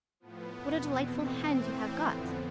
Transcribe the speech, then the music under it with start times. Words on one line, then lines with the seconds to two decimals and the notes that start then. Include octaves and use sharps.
What a delightful hand you have got!
0.20 A2 F3 B3
0.51 E2 B2
0.82 E2 B2 C4
1.13 A2 E3 C4
1.44 A2 E3
1.76 A2 E3
2.07 F2 D3 F3 B3